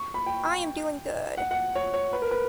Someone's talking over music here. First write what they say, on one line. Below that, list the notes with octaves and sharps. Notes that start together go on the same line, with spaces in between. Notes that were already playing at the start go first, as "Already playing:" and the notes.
I am doing good.
Already playing: C#6
B5
G5
F#5
F#5
C#5
C#5
B4
A#4
B4